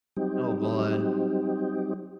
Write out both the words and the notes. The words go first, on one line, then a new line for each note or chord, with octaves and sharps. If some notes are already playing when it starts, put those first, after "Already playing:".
Oh, god.
F#3 G3 C4 D#4 G4